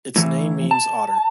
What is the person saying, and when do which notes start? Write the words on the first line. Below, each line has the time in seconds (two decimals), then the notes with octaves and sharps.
Its name means "otter".
0.16 A2 E3
0.71 A5